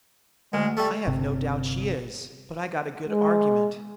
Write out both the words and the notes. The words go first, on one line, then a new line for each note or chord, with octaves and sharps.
"I have no doubt she is, but I got a good argument."
D2 G#3
G3 A3 A4
G1 C3
G#3